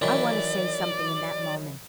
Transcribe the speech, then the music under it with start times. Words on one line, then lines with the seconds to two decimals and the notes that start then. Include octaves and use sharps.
I want to say something in that moment.
0.02 D#3 E3 F#3 D5